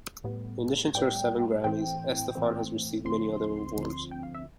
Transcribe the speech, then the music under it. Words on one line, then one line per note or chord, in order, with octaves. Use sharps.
In addition to her seven Grammys, Estefan has received many other awards.
A2 G3 B3
A2 G3 B3 G5
A2 E3 A3 C4 G5
A2 E3 A3 C4
D2 D3 F3 C4 C6
D2 D3 F3 C4
G5
F5
E5